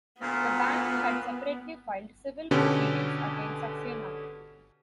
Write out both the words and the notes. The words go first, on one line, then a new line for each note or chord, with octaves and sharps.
The bank had separately filed civil proceedings against Saxena.
D2 A#2 B3
B2 D3 C#4 G4 A4 B4